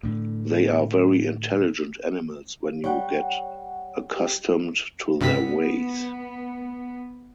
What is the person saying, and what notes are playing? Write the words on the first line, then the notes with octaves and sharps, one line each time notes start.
They are very intelligent animals when you get accustomed to their ways.
A2 D3
G3 C#5 F#5 G5
G4
G2 C3 B3 B6